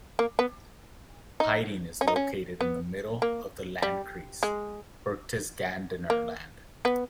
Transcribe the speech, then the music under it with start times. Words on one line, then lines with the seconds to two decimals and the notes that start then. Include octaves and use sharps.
Piding is located in the middle of the "Landkreis" Berchtesgadener Land.
0.19 A#3
0.39 B3
1.40 D#4
2.01 C#4
2.08 D#4
2.16 C#4
2.61 B3
3.22 A#3
3.82 G3
4.43 G#3
6.10 A#3
6.85 B3